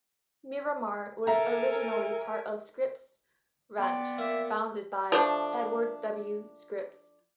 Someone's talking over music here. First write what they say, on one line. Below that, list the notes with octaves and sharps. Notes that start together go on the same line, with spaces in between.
Miramar was originally part of Scripps Ranch, founded by Edward W. Scripps.
A4 A#4 E5 G#5 A#5
B3 D5 G5 C6
A#3 E5
F3 A3 D4